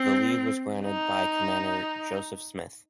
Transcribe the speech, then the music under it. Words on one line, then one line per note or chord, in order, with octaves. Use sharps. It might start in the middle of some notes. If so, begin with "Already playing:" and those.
The leave was granted by Commander Joseph Smith.
Already playing: C4
D#4